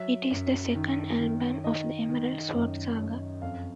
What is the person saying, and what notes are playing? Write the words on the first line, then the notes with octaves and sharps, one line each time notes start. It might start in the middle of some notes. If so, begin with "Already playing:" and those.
It is the second album of the Emerald Sword Saga.
Already playing: F#3 E5
F#2
D#3
D#3
D#3 D#5
D#3
F#2
F#2
F2 F5